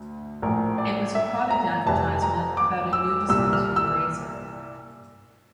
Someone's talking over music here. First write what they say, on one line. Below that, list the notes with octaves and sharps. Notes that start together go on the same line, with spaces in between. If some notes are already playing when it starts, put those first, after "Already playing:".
It was a product advertisement about a new disposable razor.
Already playing: D2
A#1 A2 F3 A#4
D5
E5
A#5
F1 F2 E3 G3 A5
A#5
D6
E6
C2 A#2 G3 E6
F6
E6